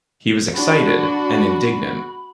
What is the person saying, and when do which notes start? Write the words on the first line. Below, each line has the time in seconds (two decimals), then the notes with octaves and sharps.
He was excited and indignant.
0.54 D4 F#4 B5